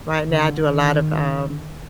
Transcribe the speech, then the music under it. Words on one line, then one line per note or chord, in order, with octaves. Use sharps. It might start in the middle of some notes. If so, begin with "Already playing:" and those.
right now I do a lot of, um,
D3
D#3